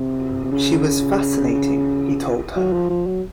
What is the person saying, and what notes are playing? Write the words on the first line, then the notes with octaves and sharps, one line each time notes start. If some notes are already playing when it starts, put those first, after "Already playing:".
She was fascinating, he told her.
Already playing: C3
C3
C#3
F#3
F3
F3
F#3